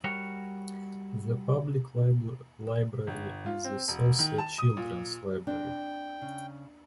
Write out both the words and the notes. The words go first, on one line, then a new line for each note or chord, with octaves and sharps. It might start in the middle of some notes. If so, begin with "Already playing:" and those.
The public library is the Saucier Children's Library.
G3 F#4 A#4 C#5
G1
F4
C4
E1
D#3
A5
D#6
A#2
C4 D4 G5
C#3